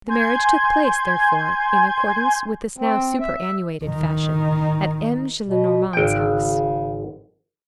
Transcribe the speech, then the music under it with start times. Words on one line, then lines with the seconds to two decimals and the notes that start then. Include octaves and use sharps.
The marriage took place, therefore, in accordance with this now superannuated fashion, at M. Gillenormand's house.
0.08 G#5 C6 G6 G#6
2.78 C4
3.21 E5
3.36 E5
3.85 D#3
5.46 B2
5.93 G#1 C#3 G5